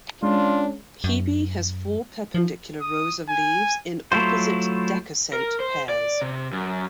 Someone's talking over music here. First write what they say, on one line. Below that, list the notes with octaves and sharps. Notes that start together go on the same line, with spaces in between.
"Hebe" has four perpendicular rows of leaves in opposite decussate pairs.
G#3 C#4 D4 F4
F#2
F3
D#6
G#5
F#3 A3 E4 F4 C5
A#4
C5
D5
C3
F#2